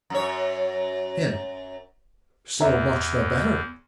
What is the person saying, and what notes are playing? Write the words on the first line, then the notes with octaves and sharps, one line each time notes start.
HIM: So much the better.
F#2 C#5
E2 E5 A#5